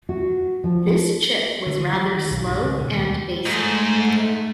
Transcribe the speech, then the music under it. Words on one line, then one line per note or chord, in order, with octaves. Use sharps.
This chip was rather slow and basic.
F#4
F3
D3
E3
F#3
D#3
B1
G2
C#2
B2
D#2
G#2 A3